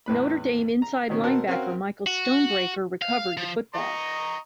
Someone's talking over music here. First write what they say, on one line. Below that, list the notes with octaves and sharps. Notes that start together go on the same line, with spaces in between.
Notre Dame inside linebacker Michael Stonebreaker recovered the football.
E2 A2 B4 B5
A#5
B2 D#3 B3 C#4
B2 C4 A#4 F#5 A5
C4 C#4 F#4 A#4 F5 G5
F#4
F5
F3
D#5 A#5 C#6